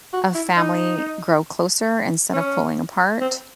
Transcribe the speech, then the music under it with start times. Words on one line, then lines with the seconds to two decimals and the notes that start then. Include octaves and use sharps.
a family grow closer instead of pulling apart?
0.13 F#4
0.35 E4
0.57 D#4
2.33 C#4
3.21 C4